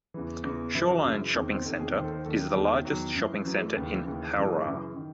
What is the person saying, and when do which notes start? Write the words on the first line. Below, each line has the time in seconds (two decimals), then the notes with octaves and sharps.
Shoreline Shopping Centre, is the largest shopping centre in Howrah.
0.14 E2 C#3 E3
0.44 E2 C#3 E3
0.75 F#2 C#3 E3 E4
0.90 F#4
1.05 F#2 C#3 E3
1.34 E2 C3 D#3 G#4
1.50 C5
1.65 E2 C3 D#3 A4
1.80 G#4
1.96 D#2 D#3 C5
2.04 A4
2.12 C5
2.25 D#2 D#3 A4
2.36 D#4
2.45 F#3
2.55 E2 D#3 G#3
2.70 G#3
2.85 E2 D#3 F#3
3.15 F#2 E3
3.45 F#2 E3 F#3
3.56 G#3
3.66 A3
3.76 D#2 C#3 E3
4.05 D#2 C#3 E3
4.36 F#2 C#3 E3 F#3
4.51 G#3
4.66 F#2 C#3 E3
4.96 D#3